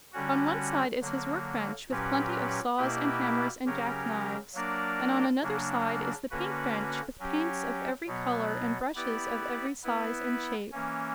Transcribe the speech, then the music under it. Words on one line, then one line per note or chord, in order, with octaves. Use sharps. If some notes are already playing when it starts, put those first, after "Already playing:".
On one side is his work-bench, with plenty of saws and hammers and jack-knives; and on another side is the paint-bench, with paints of every color and brushes of every size and shape.
D3 G3 C#4 F#4
D3 F#3 A#3
A#2 F#3 C#4 G4 B4
B2 A#3 E4 G4 B4
C#3 F#3 C#4 G4 A#4
F#3 A#3 D4 A#4 D5
C#3 F#3 A#3 D4
D3 A#3 C#4 F#4 B4
F#3 C#4 G4
B2 F#3 B3
B3 E4 G4 B4 D5
B3 E4 B4
E3 A#3 C#4